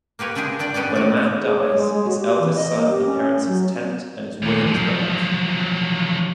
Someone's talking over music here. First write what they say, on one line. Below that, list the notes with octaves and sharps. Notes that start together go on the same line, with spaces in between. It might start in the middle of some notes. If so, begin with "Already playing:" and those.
When a man dies, his eldest son inherits his tent and his women's-boat.
A#3 G4 B4 C#5
G#3 D4 E4 G4 G#4
G3 D4 D5 G5
D#3 B3 C#4 G4 D5
F#4 D5
G#4
C#5
G#3
G#3
F#4
G4
E3
D#5
A#3
G4
C#4
F#3
D#2 A#2
F3 F#3